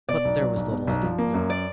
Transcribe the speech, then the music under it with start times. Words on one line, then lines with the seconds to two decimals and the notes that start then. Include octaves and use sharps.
But there was little I didn't know.
0.09 B2 D5
0.25 B1
0.41 F#3
0.56 B1
0.72 B2
0.87 B1
1.03 F3
1.18 A#3
1.34 F#2
1.50 D5